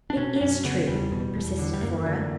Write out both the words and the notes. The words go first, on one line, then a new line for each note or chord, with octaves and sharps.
"It is true," persisted Flora.
D4
B2 C#4
D4
F#2 C#4
C#3 B3
E2 G3
B2
E2
D3
G3
F#2 A#3
D3